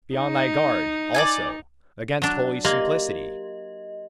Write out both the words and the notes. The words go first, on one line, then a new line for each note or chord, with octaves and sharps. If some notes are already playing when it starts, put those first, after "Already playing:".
Be on thy guard, also, against holy simplicity!
D#4
D5 D#5 G#5
F#3 D4
A#3 G4 D#5